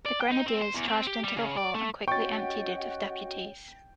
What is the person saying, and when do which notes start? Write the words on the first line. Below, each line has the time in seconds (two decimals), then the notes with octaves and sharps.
The grenadiers charged into the hall and quickly emptied it of deputies.
0.06 D5
0.20 G5
0.31 D#4
0.46 C4
0.61 C5
0.74 E2
0.88 C4
1.07 G4
1.24 G3
1.37 C#3
1.57 D5
1.75 A3
2.08 C#4 F#4 G4 D#5 F#5 G5 C#6 A6